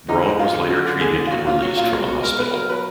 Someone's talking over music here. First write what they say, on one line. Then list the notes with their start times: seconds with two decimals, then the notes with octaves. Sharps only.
Braun was later treated and released from a hospital.
0.09 D3 D#4
0.24 G#3
0.39 G#3 F4
0.54 D3
0.70 D3 F#4
0.85 D3
1.00 D3 G#4
1.16 D3
1.27 F4
1.31 A#2 F#4
1.46 A#2 F4
1.62 F#3 F#4
1.77 A#2 F4
1.93 G#3 F#4
2.08 B2 F#4
2.23 G#3 A#4
2.39 B2 B4
2.54 F#3 A#4
2.69 F#3 B4